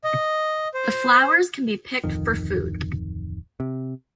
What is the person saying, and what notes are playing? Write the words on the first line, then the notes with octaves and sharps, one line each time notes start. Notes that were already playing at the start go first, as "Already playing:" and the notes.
The flowers can be picked for food.
D#5
C5
D1 F2 D#3
C3